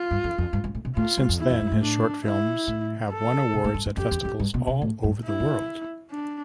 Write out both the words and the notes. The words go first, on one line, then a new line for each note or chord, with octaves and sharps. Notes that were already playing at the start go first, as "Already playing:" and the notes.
Since then his short films have won awards at festivals all over the world.
Already playing: F4
G2
F2
F2
G2
G2
A2
B2
A2 F4
G2
F2
E2 E4
F2
G2
A2
D4
E4
A2
A4
B2
A2
G2
G2
F2 G4
E2
F2
G2
B2
C3
A2
G2
E4
F2
D4